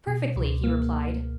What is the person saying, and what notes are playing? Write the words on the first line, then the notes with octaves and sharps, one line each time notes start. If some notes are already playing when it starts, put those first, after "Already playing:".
"Perfectly," he replied.
B2
C#2
A#3